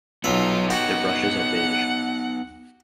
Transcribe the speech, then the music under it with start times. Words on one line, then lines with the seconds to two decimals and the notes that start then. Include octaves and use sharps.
Their brushes are beige.
0.24 B1 B3 D#4 F4 E5
0.70 F#4 G4 F#5